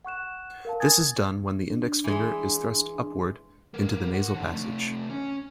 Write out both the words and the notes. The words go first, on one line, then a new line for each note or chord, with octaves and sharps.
This is done when the index finger is thrust upward into the nasal passage.
F#5 C#6 F#6 E7
A#4 F5 A5
G#5 D#6 G#6 A6
D4
E3 G#3
B3 A#4
G4 F#5
D3 F3
C3 A3
C#4